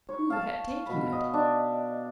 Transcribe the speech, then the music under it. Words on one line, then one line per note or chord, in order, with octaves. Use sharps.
Who had taken it?
C#5
F5 A5
B2 B5
D#5
D4